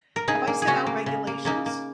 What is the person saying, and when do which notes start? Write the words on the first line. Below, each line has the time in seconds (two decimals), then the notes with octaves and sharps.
Have I set out regulations?
0.16 A#4
0.28 C#3 D#4 G#4
0.47 A#3
0.62 G#4
0.67 C#3 C#4 F#4
0.86 A#3
1.06 C#3
1.27 A#3
1.45 C#3 A#3 D#4
1.66 A#3